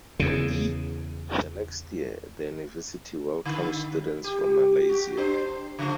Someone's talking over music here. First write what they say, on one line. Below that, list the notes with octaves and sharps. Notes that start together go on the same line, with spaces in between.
The next year, the university welcomed students from Malaysia.
E2 C#3
D3
G4
F#4 G4
D4 C5
C#3 F3 A3